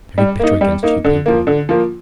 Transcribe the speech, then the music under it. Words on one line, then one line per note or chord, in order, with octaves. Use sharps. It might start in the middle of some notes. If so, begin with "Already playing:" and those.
He's very bitter against you people.
G3
A#3 D#4
G3
A#3 D#4
D3
F3 A#3
D3
F3 A#3